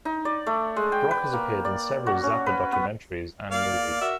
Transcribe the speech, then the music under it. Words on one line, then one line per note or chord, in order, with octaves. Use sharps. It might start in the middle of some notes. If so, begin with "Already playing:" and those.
Brock has appeared in several Zappa documentaries and movies.
D#4
D5
A3
G#3
G5
B4
A#3
D5
F#4
C#4
B4
B3
A#3 D5 F5
F#4 A#4 E5